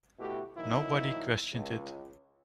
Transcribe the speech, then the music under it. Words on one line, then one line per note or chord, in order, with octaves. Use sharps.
Nobody questioned it.
B2 A3 E4 F#4 G4
A#2 D#3 F3 F#3 D#4 E4
C#2